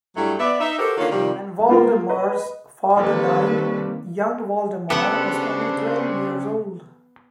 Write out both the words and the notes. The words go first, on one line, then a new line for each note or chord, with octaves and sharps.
When Valdemar's father died, young Valdemar was only twelve years old.
G2 F#3 G3 A3 E4
B3 D5 E5
D#4 E5
F#4 G4 A4 A#4 C5
D3 D#3 A#3 C#4 F4 C#5
C3 D#3 F3 G3
G#3 A#3 F4 A#4
B4 D#5
D#3 G3 A#3 C4 G4 A4 B4
C#3 B3 D4 G4 A4 C5 E5 F#5